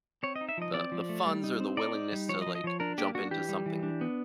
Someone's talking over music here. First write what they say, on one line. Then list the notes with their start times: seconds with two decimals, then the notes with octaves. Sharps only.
the the funds, or the willingness to like jump into something
0.23 C4 C#5
0.36 D#5
0.41 D#4
0.49 E5
0.57 F3 D#5
0.74 C4 D5
0.92 F3
1.09 A3
1.26 G3
1.44 D#4
1.60 C4
1.77 D#4 D5
1.95 D#4
2.12 G3
2.29 F3 C#5
2.42 D#5
2.46 F3
2.55 D#5
2.64 F3 C#5
2.80 D4 A#4
2.98 A#3 G4
3.15 D4 F#4
3.31 E3 G4
3.49 G3
3.66 E3
3.83 D4
4.01 B3